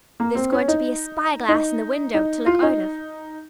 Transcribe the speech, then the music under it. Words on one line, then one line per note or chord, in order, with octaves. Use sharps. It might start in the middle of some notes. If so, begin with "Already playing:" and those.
There's going to be a spy-glass in the window, to look out of.
A#3
C4
C#4
D#4
D#4
D#4
F4
D#4